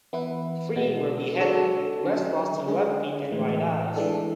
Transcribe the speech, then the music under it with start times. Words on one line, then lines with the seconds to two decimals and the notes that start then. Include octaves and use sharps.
Three were beheaded; the rest lost their left feet and right eyes.
0.13 E3 B3 E4 B4
0.76 B2 G#3 B3
1.40 G#3 D4 F#4 A4
2.04 D3 F#3 C#4
2.68 D3 G#3 C#4 G#4
3.31 A2 E3 G#3
3.96 E3 G#3 D4 A4